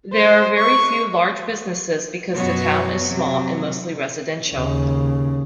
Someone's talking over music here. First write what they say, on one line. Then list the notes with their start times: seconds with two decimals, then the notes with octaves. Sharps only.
There are very few large businesses because the town is small and mostly residential.
0.13 C5
0.58 C#6
2.35 F#2 B2 F#3 B3 F#4 C#5
3.05 C3 F#3
4.50 D#2 C#3